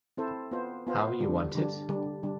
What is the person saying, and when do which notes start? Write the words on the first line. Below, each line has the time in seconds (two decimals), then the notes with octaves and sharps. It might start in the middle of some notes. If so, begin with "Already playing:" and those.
How You Want It?
0.17 C4 E4 A4 C5
0.51 B3 F4 C5
0.87 B3 F4 C5
1.20 D3 G3 D4
1.55 D3 G3 D4
1.89 D3 G3 D4
2.23 D3 G3 D4